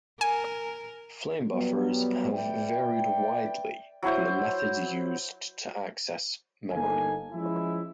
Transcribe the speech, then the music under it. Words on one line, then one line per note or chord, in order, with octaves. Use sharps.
Framebuffers have varied widely in the methods used to access memory.
A#4 G#5
F#3 G3 B3
B4 D5 E5 G5
F#3 E4 C5
G1 A#3 D#4 A4 G#5
F3 G#3 C#4 E4